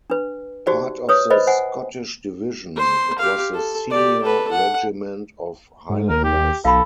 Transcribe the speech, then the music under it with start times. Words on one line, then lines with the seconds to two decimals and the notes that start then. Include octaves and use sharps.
Part of the Scottish Division, it was the senior regiment of Highlanders.
0.10 D4 B4
0.67 D#4 F#4 G4 C5 D5
1.09 B4 C#5 D#6
1.30 B4 C5 D5 D#5 B5
1.47 C5 F#5 G#5
2.76 C5 C6
3.19 G4 F5
3.53 A4
3.91 G4 D5
4.23 A4 B4
4.52 F#5
5.90 G#2
6.09 D#2 A#4
6.24 G4
6.65 B1 A4 F5 B5